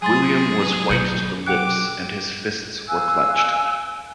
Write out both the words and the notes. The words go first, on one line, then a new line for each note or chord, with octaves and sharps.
William was white to the lips, and his fists were clenched.
F#3 G#4 G#5 C6 A6
B2 D#3 G6 C#7 F#7
F#5 G5 D6 F#6
F5 G#5 E6 F#6